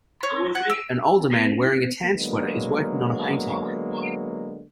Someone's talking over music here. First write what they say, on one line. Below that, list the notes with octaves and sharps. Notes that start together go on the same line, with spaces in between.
An older man wearing a tan sweater is working on a painting.
C#5
F#5
E6
D3 F#3 G#3 A#3 B3